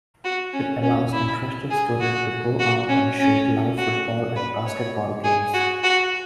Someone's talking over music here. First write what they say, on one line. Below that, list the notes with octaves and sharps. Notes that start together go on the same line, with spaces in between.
It allows interested student to go out and shoot live football and basketball games.
F#4
C#4
C#4
E4
G#4
F#4
F#4
C#4
C#4
F#4
B4
C#5
G#4
F#4
F#4